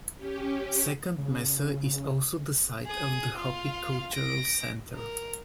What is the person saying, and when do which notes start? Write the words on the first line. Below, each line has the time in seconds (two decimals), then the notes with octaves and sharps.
Second Mesa is also the site of the Hopi Cultural Center.
0.17 C#4 G4
1.18 C#3
2.86 G#4 D#6
3.37 F4 F5
4.13 A#6 D7
4.94 A#4